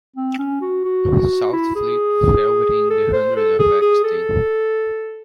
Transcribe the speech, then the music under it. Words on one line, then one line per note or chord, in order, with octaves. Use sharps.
Southfleet fell within the Hundred of Axstane.
C4
C#4
F#4
F#4
E4
G#4
A4
C5
A4
G#4
G#4
A4